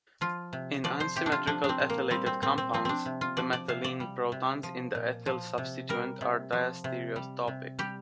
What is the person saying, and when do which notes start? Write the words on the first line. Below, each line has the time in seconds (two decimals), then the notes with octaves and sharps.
In unsymmetrical ethylated compounds, the methylene protons in the ethyl substituent are diastereotopic.
0.21 F3 F4
0.53 C3
0.84 F3 D5
1.00 C5
1.16 C3 G4
1.26 D4
1.32 F4
1.47 F3 D4
1.64 D4
1.69 C4
1.79 A#2
1.90 A#3
2.10 G3 C4
2.26 C4
2.42 A#2 C4
2.58 C4
2.73 F3 C4
2.85 C4 D4
3.06 C3
3.21 F4
3.37 F3 D5
3.53 D5
3.68 C3 F5
3.84 D5
4.00 G3
4.32 C3
4.63 F3
4.95 A#2
5.26 F3
5.58 C3
5.89 G3 A#4
6.21 C3
6.53 F3
6.84 C3
7.16 G3
7.48 C3
7.79 G3 G4